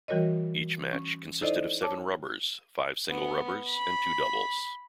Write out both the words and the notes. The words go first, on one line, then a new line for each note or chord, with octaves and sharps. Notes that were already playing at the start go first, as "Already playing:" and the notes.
Each match consisted of seven 'rubbers': five singles rubbers and two doubles.
E3 G3 F#4 A#4 C#5 D#5
C#4
D#4 E4 A4 C5 D5 D#5
C#5 A5 D6
B3
B5